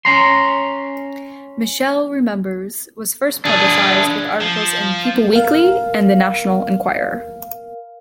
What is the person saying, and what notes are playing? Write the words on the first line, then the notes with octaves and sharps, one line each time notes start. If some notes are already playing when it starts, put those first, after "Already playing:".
"Michelle Remembers" was first publicized with articles in "People Weekly" and the "National Enquirer".
C#4 A#5 C6
D4 G#4
F3
A#4 F5